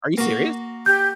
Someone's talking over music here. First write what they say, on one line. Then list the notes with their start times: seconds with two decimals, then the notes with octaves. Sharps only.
Are you serious?
0.18 A#3 F#4
0.86 G4 G6